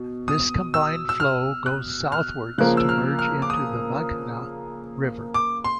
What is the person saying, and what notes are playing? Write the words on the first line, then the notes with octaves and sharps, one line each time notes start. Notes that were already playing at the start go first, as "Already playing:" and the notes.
This combined flow goes southwards to merge into the Meghna River.
Already playing: B2
D#6
E6
E6
F6
F#6
F6
C#3 F3 A#3 F#6
E6
F6
F6
D6
D#6
D6
C6